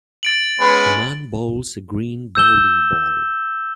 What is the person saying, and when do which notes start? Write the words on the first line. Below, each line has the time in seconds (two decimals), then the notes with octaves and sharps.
A man bowls a green bowling ball.
0.23 A6 D7 F#7
0.60 G#3 B3 C#4 B4
2.35 E6 G6 E7 G7